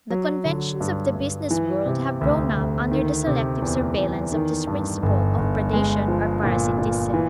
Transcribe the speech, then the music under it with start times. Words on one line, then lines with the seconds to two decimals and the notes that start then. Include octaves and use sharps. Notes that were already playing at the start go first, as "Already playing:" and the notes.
The conventions of the business world have grown up under the selective surveillance of this principle of predation or parasitism.
0.10 F#3
0.45 D3
0.81 G2
1.15 G2
1.51 E3
1.86 C3
2.21 D2
2.57 D2
2.91 D#3
3.27 C3
3.62 E2
3.97 E2
4.32 D#3
4.67 G2
5.02 G1
5.38 G1
5.73 G#3
6.08 F3
6.44 A#2
6.78 A#2
7.14 E3